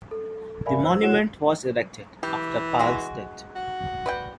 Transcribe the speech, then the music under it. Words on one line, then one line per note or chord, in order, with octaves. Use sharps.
The monument was erected after Pal's death.
A4
A#4 D5 E5 F5 G#5 B5
C5 E6
E4 F#4 C#5 F#5 E7
E3 G4
G#3 F#4
F#4
B4 D5 G5